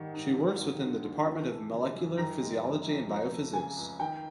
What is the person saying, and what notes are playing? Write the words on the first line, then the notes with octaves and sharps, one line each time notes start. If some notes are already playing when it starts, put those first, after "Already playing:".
She works within the Department of Molecular Physiology and Biophysics.
Already playing: G#2 D#3 G3
G#2
F#3
D#2
D3
D#2
E3
A3
C#3
F#2
D#3 A#5
G#3
C3
F2
F3 A#5
A3
C#3 G#5
C#2
D#3 G5